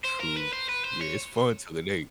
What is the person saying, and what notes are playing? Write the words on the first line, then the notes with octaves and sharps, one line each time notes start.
True. Yeah, it's fun till it ain't.
C5
A#4
B4
C5
B4
C5
C#5